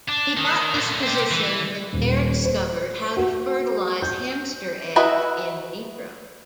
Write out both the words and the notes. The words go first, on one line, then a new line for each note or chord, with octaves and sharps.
He got this position and there discovered how to fertilize hamster eggs in vitro.
D4
D#3
A#2 A3
C4 G4
E3
D#1
C5
F#4
G6
E4 F#4 B4 D#5 E5